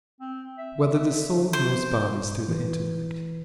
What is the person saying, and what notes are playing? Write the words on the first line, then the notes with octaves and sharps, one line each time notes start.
Whether the Soul Knows Bodies Through the Intellect?
C4
E5
D#4
C5
E3